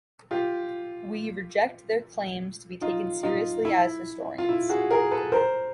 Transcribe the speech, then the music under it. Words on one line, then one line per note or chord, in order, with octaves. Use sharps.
We reject their claims to be taken seriously as historians.
F4 G4
D#4 F4
D#4 F4
E4
F4
E4
F#4 G#4
G#4 A#4
A4 B4
A#4 C5